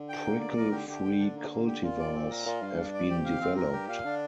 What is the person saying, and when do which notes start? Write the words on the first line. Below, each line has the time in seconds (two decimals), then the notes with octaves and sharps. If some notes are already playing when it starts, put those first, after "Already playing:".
Prickle-free cultivars have been developed.
Already playing: D3
0.09 G5
0.24 A#3
0.40 D5
0.56 F3 A#4
0.72 D3 G4
0.88 D3 G4
1.04 G5
1.19 D4
1.35 A#3
1.51 A#3
1.67 G4
1.83 A#2 F4
1.99 D5
2.15 C4
2.30 A#4
2.46 A#2 F4
2.62 G2 F5
2.78 D4
2.94 D5
3.09 F2 G4
3.25 F5
3.41 C4
3.56 A#4
3.68 A#2
3.73 G2 G4
3.89 A#2 F5
4.05 D3 D4